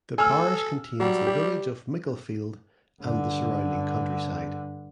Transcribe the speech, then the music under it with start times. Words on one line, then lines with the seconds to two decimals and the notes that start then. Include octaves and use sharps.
The parish contains the village of Micklefield and the surrounding countryside.
0.18 A4 G#5 E6 F6
1.00 F#3 G3
1.27 G4
3.02 G2 D3